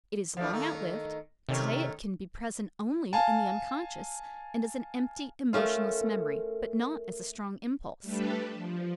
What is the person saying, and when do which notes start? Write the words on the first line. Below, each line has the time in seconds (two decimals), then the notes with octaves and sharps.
It is long outlived, to-day it can be present only in the unconscious and as an empty, emotionless memory, but not as a strong impulse.
0.37 F3 A3 D4
0.53 D#3 A3 D#4
1.49 C3 D#3 A3 C#4
3.13 F5 G#5 A5
5.53 A3 C#4 F4 A4 A#4
8.02 G3 A3 D4 G4 A4 B4
8.53 F3